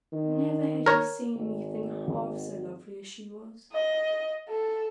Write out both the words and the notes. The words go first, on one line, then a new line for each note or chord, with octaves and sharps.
Never had he seen anything half so lovely as she was!
D#3
A#4 C#5
G#1
D#5
A4